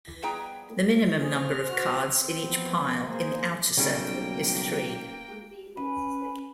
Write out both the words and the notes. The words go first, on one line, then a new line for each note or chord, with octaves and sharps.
The minimum number of cards in each pile in the outer circle is three.
F2 G3 B3 G#4 G5 A#5
G#4 C5 F6
F#4
C4
F3 B3
A#3 G#4 C5
B1 C#3 G3 A3 A#3 C#4 D#4 G5
C#4 B4